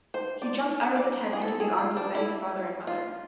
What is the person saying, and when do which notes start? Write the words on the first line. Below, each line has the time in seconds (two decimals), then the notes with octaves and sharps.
He jumps out of the tent into the arms of Betty’s father and mother.
0.14 C5
0.42 D5
0.96 D5
1.24 B4
1.33 G#4
1.42 A4
1.60 G#4
1.78 F4
1.97 D4
2.15 E4
2.87 F4